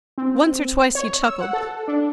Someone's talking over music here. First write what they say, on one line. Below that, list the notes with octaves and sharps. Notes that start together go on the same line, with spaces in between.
Once or twice he chuckled.
C4
C#5
E6
F#5
A4
D4